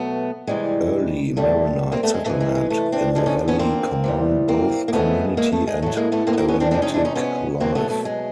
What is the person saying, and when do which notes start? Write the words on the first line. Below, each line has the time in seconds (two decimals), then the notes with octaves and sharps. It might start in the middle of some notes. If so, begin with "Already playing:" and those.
Early Maronite settlement in the valley combined both community and eremitic life.
Already playing: B2 F#3 A3 B3
0.47 C3 E3 G3 G#3
1.37 A#2 G3 A3
1.92 A#3 C4
2.03 A3 B3
2.14 G#3
2.26 C3 E3 G#3 A3
2.40 G#3
2.55 G#3
2.70 A3
2.92 C4 D4
3.15 D3 F3 G#3
3.26 C#4 D#4
3.48 B3 C#4
3.59 A#3 C4
4.04 C3 E3 G3
4.48 A#3 C4
4.88 A#3
4.93 C#3 F3 G#3 A3 B3
5.37 G#3 A#3
5.52 A3
5.67 G#3
5.82 A2 F#3 A3
5.97 G#3 A#3
6.12 A3 B3
6.27 A#3 C4
6.33 B3
6.38 A#3 C4
6.48 B3 C#4
6.60 C4 D4
6.71 C3 F3 G#3 C4 D4
6.82 C#4 D#4
6.94 D4 E4
7.05 C#4 D#4
7.15 B3 C#4
7.60 B2 F#3 A#3 C4
7.75 A3 B3
7.90 A3
8.05 G#3